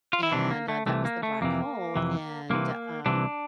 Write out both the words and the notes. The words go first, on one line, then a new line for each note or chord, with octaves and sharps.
and, uh, that was the black hole, and, um,
F4
E4
C2 C3 E3 D4
A#3
A3
C2 C3 E3 A3
A#3
A3
F2 C3 E3 A#3
F2 C3 E3
C2 C3 E3 A#3
C2 C3 E3 D4